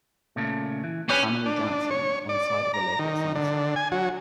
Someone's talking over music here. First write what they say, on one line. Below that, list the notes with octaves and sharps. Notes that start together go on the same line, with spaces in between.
Family dancing on side of a lake at sunset.
A#2 C#3 A3
E3
C#4 D4 G4 B4
D4
C#5
D5
A#5
D#3
D3
G#5
F#3